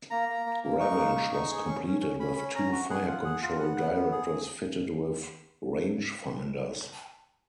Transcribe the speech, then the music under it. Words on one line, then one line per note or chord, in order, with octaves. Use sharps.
"Revenge" was completed with two fire-control directors fitted with rangefinders.
A#3 A#5
A#3
A#3
A#3
D#4 C#6
A#3
D#4
D#4
G#4
C#4
C#4
C#4
C#4 B5
C#4
C#4 A#5
F#4
G#4 F#5
F4
G#4
F4
B3
B3
B3
G#4